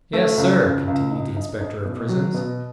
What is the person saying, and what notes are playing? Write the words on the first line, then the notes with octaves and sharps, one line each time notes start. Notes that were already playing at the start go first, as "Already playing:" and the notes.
"Yes, sir," continued the inspector of prisons.
A3
C#2
C#2
C#2
D#4
D#4
D#4
B2
F#3
B2